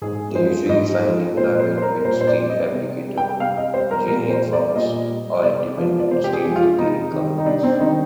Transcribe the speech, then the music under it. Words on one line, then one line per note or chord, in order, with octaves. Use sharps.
They usually find employment with steel fabricators, engineering firms, or independent steel detailing companies.
G#2 G#4
F3 G#3 C5
G#2 D#5
F3 G#3
A#2 C5
C5
G3
C5
A#4
A#2 C5
C5
D5
G3
D#5
C3
G3
G5
C3 F5
D#5
G3 C5
A#4
A#2 A#4
C5
G3
D5
A#2 D#5
G3
C3 D5
F3 G#3
D5
C3 C5
G4
G#4
F3 G#3
F4
C3 D#4
D#3 G3
D#4
C3 D4
C4
D4
D#3 G3 D#4